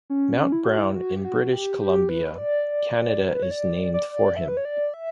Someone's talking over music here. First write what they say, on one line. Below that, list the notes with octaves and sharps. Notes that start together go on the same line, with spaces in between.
Mount Brown in British Columbia, Canada is named for him.
C#4
E4
F#4
E4
F#4
G4
F#4
G4
G4
B4
D5
A#4
B4
C#5
D5
D5
E5
B4
C#5
D5
E5